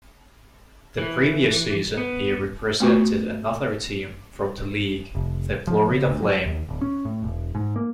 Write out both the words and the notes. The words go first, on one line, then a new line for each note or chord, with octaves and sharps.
The previous season, he represented another team from the league, the Florida Flame.
E3
B3
A3 B3 F4 F#4
F1
F3
C#3
D2
F#3
D#2
D1
C#4
A2
E1
G#2
A#3